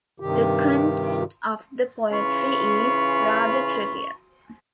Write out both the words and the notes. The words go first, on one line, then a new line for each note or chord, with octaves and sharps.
The content of the poetry is rather trivial.
G2 C3 D#3 G4
C#3 E3 C#4 F4 B5 C#6